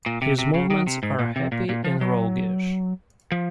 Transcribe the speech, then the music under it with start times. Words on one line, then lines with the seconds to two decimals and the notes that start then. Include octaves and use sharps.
His movements are happy and roguish.
0.06 A#2
0.22 C3
0.39 C3
0.54 C#3
0.70 D#3
0.87 C3
1.03 G#2
1.19 A#2
1.36 C3
1.52 A#2
1.69 A#2
1.84 F3
2.01 F#3
3.32 F3